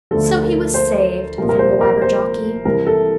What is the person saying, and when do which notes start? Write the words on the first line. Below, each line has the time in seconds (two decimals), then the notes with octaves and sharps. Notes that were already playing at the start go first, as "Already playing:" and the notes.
So he was saved from the Wabberjocky.
0.11 D2 D3 F3 A4
0.43 A#4
0.74 C5
1.38 C2 A#2 F3 A#4
1.49 A#4
1.59 C5
1.81 A#4
2.02 C5
2.65 C2 C3 E3 A#4
2.87 A4